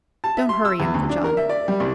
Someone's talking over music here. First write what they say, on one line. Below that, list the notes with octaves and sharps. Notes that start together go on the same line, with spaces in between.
Don't hurry, Uncle John.
A5
E5
C6
E6
E2
D2
D4
A#4
E5
D5
G3
C2